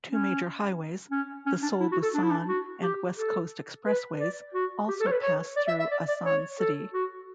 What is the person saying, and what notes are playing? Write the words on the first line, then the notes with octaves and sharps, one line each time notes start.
Two major highways, the Seoul-Busan and West Coast expressways, also pass through Asan city.
C#4
C#4
C#4
D4
E4
F#4
A4
D4
E4
D4
F#4
G4
A4
B4
D5
F#4
G4
A4
C#5
B4
C#5
D5
E5
E5
D5
D5
C#5
A4
F#4